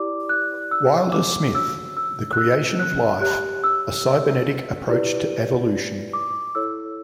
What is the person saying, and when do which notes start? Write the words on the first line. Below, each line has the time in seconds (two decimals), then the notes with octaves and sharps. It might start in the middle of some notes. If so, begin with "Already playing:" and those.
Wilder-Smith, "The Creation of Life: A Cybernetic Approach to Evolution".
Already playing: E4 G4 D5 D6
0.29 F#6
0.71 E6
1.12 D6
1.54 D4 F#4 C#5 E6
1.97 E6
2.33 F#6
2.38 E6
2.80 F#6
3.21 G4 C#5 F#6
3.64 E6
4.88 E4 G4 B4 D5
6.13 D6
6.55 E4 A4 C#5 E6